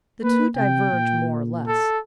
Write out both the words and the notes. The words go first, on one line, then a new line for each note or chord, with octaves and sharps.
The two diverge more or less.
A#3 B4
C3 G5
A#2
A4